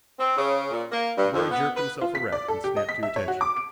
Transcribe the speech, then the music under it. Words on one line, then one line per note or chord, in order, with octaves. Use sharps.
The boy jerked himself erect and snapped to attention.
C4
C#3
A#2
A#3
G2
F2
B3
B4
F4
B6
D5
A4
G4
D#5
B6
E5
C#5
F#4
D6
D7